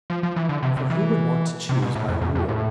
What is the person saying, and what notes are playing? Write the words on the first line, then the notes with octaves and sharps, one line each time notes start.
For who would want to choose by rule?
F3
F3
E3
D3
C3
C3
E3
C3
B2
A2
F2
F2
F2
A2